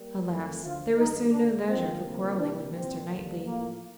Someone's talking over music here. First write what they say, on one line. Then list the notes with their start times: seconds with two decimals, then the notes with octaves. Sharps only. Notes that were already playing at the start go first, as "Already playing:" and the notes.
Alas! there was soon no leisure for quarrelling with Mr. Knightley.
Already playing: G3 A#3
0.27 F2 D#3 A3
0.62 D2 D3 F3 F4
0.97 G2 D#3 A3 D#4
1.32 D2 D3 A3 D4
1.67 G2 F3 A#3 C4
2.02 D2 C3 F3 A#3
2.37 C2 C3 D#3 G3 A#3 D4
2.72 C2 A#2 G3 A#3 C4
3.08 D#2 D3 G3 A#3
3.43 A2 F3 A3 A#3